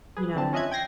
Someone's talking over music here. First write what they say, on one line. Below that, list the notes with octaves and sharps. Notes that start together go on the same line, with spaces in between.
you know?
G#4 B4
D3 C4 A5
C#4 F4 D#5 E5 F#6 G#6
G5 G#6 A#6 C7